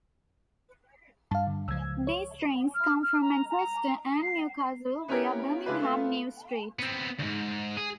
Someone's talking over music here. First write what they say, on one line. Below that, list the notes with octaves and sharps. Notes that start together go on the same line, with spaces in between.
These trains come from Manchester and Newcastle via Birmingham New street.
G2 F5 A5
D3
C#2 F3 E6 G#6
C#5
F6
F6
A#5
A#5
C7
B3 C#4 E4 G4 A#4
C#3 G#3 D4 E4 F4 B4
A3 B3 F4
B3 C4
D2 G#2
G#4